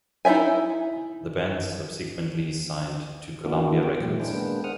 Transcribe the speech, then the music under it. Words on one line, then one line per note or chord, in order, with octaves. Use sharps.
The band subsequently signed to Columbia Records.
D#4 E4 D5 E5 G#5
D#3 A#3 B3 D4 E4 F#4
B3 C4 G5
A#2 D#3 E3 F#3 G#3 A3
D4 E4 G#4 C5 G5
G#3 A#3 B3 D4 G#4 B4
G#4 C5 F#5 D#6 F6